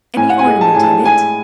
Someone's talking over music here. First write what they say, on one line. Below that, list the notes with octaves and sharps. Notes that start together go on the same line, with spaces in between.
"Any ornament in it?"
A2 G#5
F#5
G#5
G#3
A5
A2 G#5
A5
G#3 G#5